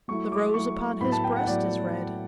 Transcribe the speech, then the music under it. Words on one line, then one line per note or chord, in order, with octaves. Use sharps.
The rose upon his breast is red.
F#3 A3 E4 C#6
D6
F#3 A3 E4 C#6
A2 F#3 B3 E4 B5
A5
G5
F#5
A2 F#3 B3 E4 D5